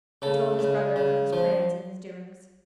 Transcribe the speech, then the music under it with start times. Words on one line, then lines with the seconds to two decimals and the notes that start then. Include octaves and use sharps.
He told his brother of his plans and his doings.
0.22 C#3 A4
0.59 C#3
0.96 C#3
1.33 F3